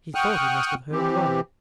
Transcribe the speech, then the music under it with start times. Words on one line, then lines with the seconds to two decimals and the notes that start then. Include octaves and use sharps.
He thought he must have heard wrong.
0.15 F#5 G5 C#6 D#6 F6 F#6
0.92 E3 C4 G4